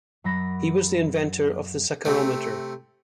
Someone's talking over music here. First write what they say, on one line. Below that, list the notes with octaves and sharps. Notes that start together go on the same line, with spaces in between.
He was the inventor of the saccharometer.
F#2 F#3 B5 A#6
C3 A3